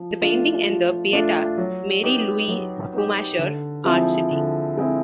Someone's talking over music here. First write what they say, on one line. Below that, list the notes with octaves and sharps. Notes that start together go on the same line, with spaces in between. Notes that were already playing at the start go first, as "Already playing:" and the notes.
The painting and the Pieta - Mary Louise Schumacher: Art City.
Already playing: F3
A3 D4 F4
F3
A3 D4 F4
F#3
B3 D#4 G4
F#3
B3 D#4 G4
D3
F3 G#3 C4 E4
D3
F3 G#3 C4 E4